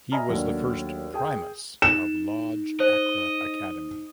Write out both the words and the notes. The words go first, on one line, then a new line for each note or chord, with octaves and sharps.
He was the first "Primus" of Lodge Accra Academy.
D#5 E5 G#5 A#5 B5 F6
D#2 F#3 A3 D4
G#4 G5
D#4 E7
C5 D#5